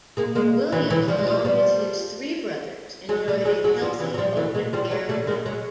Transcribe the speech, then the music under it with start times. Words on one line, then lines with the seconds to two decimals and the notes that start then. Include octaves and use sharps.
William along with his three brothers enjoyed a healthy open-air life.
0.17 G#3 A#3
0.35 G#3 A#3
0.72 E3 F#3
0.90 E3 F#3
1.08 F3 G3
1.18 G#3
1.26 F3 G3
1.45 F3 G3
3.09 F#3 G#3
3.28 G3 A3
3.45 F#3 G#3
3.64 F#3 G#3
3.81 F3 G3
4.00 E3 F#3
4.14 F#3
4.18 F3 G3
4.37 E3 F#3
4.55 F#3 G#3
4.73 F3 G3
4.91 F#3 G#3
5.09 G3 A3
5.27 G#3 A#3
5.46 F#3 G#3